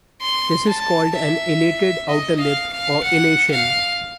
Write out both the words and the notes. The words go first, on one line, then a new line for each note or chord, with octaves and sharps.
This is called an alated outer lip or alation.
C6
A5
E5
D#5
F5
F5
F#5
F5